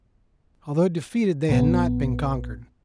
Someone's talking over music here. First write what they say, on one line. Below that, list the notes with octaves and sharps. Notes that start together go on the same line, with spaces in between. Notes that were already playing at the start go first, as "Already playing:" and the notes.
Although defeated they had not been conquered.
A#1 B3